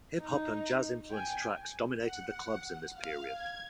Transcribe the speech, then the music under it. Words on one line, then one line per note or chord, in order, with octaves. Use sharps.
Hip hop and jazz influenced tracks dominated the clubs in this period.
D#4
G5 G#5
F#5
F5
G#6